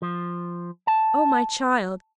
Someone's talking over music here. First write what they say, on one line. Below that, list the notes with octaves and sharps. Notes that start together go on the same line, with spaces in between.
Oh, my child!
F3
A5